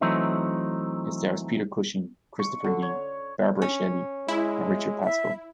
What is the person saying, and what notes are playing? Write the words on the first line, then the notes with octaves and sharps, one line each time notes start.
It stars Peter Cushing, Christopher Lee, Barbara Shelley and Richard Pasco.
E3 F#3 A3 C4 D#4
C#6
D3
C#5
C#4
G#3 E4
E5